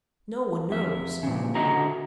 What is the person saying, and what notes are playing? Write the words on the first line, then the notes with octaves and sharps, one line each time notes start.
No one knows.
F2 E5
A#2 C#3
D3 F#4 D#5 E5 A#5